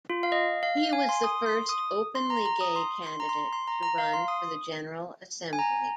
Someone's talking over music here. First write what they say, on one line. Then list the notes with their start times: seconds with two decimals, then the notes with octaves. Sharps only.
He was the first openly gay candidate to run for the General Assembly.
0.10 F4
0.23 F5
0.32 D#5
0.63 F5
0.77 F5
0.93 G#5
1.09 C6
1.24 D#6
1.46 C6
1.69 D#6
2.15 C6
2.30 A#5
2.46 A#5
2.61 D#6
2.76 C6
3.07 C6
3.20 A#5
3.29 C6
3.53 C6
3.68 A#5
3.83 A#5
3.98 F5
4.14 C6
4.28 D#6
5.53 G#5
5.59 A#5